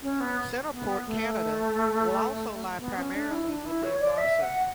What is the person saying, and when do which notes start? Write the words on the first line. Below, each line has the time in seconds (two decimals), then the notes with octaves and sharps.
CentrePort Canada will also lie primarily within Rosser.
0.02 C#4
0.20 B3
0.71 B3
1.07 A3
2.80 B3
2.97 C#4
3.14 D4
3.31 E4
3.49 D4
3.65 E4
3.84 C#5
4.00 D5
4.18 E5
4.41 F#5